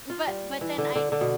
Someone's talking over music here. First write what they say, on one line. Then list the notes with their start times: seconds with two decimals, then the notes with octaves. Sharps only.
but but then I
0.10 F4
0.27 G3
0.61 E3
0.78 D3
0.96 D3
1.12 D3
1.21 B2